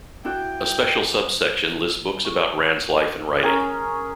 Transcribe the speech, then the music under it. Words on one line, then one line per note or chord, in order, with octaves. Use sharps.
A special subsection lists books about Rand's life and writing.
D4 E4 F#4 G5
C#6
C#4 G#4 A#4